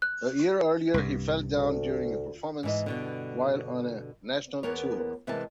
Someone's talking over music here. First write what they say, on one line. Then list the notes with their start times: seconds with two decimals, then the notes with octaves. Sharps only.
A year earlier, he fell down during a performance while on a national tour.
0.02 F#6
0.94 C2 G2
1.56 D2
2.63 G#2 E3 D#5
2.86 G2 B2 D3
4.63 E2 A#3 B3 A#4 C#5
5.27 C3 E3 G#3 A#4 B4 A5